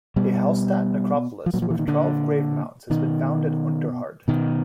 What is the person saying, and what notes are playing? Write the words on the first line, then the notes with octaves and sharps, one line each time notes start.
A Hallstatt necropolis with twelve grave mounds has been found at Unterhard.
B2 G3
F3
A#2 F#3
F3
E3
D#3
D3
B2 D#3
B2 D#3